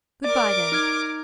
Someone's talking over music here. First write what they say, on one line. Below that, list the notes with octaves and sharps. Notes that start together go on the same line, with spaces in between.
"Good-bye, then."
A#4 D5 D6
D#4 F6 G#6